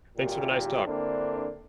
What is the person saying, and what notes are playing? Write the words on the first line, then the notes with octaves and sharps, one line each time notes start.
thanks for the nice talk.
G#1 D#2 A#2 G4
D3 A#3 C4 D4 E4